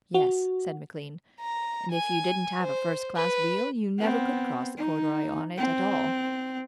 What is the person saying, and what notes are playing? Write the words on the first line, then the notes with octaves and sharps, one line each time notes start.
"Yes," said McLean; "and if you didn't have a first-class wheel, you never could cross the corduroy on it at all."
F#4
A#5
G#5
C5
B4
B3 C4
D#4
C4